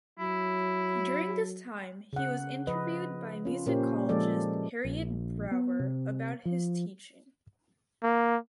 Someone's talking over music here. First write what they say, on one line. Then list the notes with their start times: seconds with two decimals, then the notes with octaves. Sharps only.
During this time he was interviewed by musicologist Harriette Brower about his teaching.
0.19 F#3 E4
2.13 C#3 F#5
2.67 F3 B4 D#5
3.45 C#4 F4
3.66 A#2 A#3 C#4 G4 C5
4.09 F3 G#3 A4 D5
4.85 A#1
5.51 B3
5.80 C3
6.45 F3
8.03 A#3